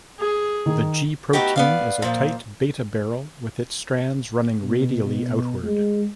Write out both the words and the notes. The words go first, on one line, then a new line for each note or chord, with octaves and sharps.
The G protein is a tight beta barrel with its strands running radially outward.
G#4
D#3
A3 B3 D#4 F#4 G4
B3 D5 F5
A#2 F3
B2
B2
G#3